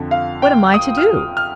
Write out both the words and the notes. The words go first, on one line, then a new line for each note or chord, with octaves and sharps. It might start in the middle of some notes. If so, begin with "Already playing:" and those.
"What am I to do?"
Already playing: F2 D3 F3
F5
G5
D#6
F6
F6